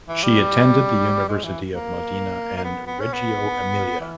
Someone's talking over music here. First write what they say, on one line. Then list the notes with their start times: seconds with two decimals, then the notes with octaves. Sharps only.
She attended the University of Modena and Reggio Emilia.
0.08 E3
0.23 G3
1.28 G#3
1.44 E3
1.74 A#3
2.57 A#3
2.64 B3
2.86 B3
3.00 C#4
3.13 B3
4.00 E3